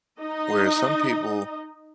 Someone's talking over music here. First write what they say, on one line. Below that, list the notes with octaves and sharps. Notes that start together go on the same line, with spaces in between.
where some people
D#4 D#5